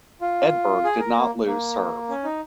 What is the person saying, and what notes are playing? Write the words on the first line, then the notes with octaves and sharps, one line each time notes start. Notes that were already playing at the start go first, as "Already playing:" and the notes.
Edberg did not lose serve.
F4
G#4
A#4
A#3
A#3
C#4
D#4